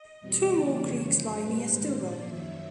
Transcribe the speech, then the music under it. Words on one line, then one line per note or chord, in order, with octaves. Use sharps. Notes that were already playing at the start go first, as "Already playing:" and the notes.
Two more creeks lie near Stilwell.
Already playing: D#5
E2 B2 G3 C4
D3 F3 A#3 D4 D5
F2 C#3 E3 G#3 C#5
F#2 D3 F#3 C5
A#2 G3 C4 B4
G#2 D#3 G#3 C5
A#2 F3 A#3 D5
F#2 D#3 F#3 E5